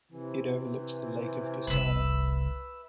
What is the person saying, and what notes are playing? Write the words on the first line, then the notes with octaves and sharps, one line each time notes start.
It overlooks the Lake of Gusana.
C3 E3
F1 C2 B4 E5